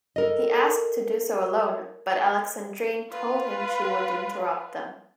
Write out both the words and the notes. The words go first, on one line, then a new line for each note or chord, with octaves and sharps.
He asked to do so alone, but Alexandrine told him she would interrupt them.
A4 A#4 D#5
F4 B4